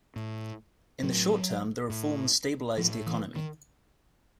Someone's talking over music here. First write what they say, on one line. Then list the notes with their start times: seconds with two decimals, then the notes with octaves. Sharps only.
In the short term, the reforms stabilised the economy.
0.16 A2
1.03 A2 F#3
1.90 A2
2.77 A2 F3
3.06 E3
3.36 D#3